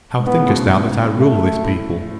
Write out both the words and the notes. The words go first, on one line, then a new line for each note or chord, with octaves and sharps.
How thinkest thou that I rule this people?
G#2
A2 B3
A2 C#3
G#2 B2
G#2
A3
A2